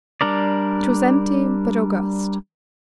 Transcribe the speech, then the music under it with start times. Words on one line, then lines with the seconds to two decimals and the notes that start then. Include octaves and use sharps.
It was empty but august.
0.21 G3 D4 A#4 D5